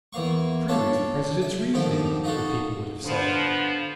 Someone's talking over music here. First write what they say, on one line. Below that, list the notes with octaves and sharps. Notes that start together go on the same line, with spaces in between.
"How true is the president's reasoning," the people would have said.
E2 A#3 F5 C#6
D4 F4 A4 C#5
E5
D3 D#3 F3 G4
D#4 F4 F#4 A4
D3 F3 B3